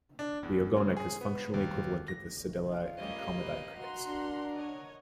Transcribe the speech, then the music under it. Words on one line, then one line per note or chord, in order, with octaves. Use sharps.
The ogonek is functionally equivalent to the cedilla and comma diacritics.
D4
E2
C#3
G#4
B3
D#2
A#6
F4
G3 A3 A#3 C#4 D#5
C4 G4 B4
F#4 F#5 A#5 C6
D4 A#4
C#5 D#5